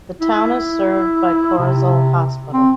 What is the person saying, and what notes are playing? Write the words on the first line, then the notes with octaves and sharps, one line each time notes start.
The town is served by Corozal Hospital.
E4
C3
C4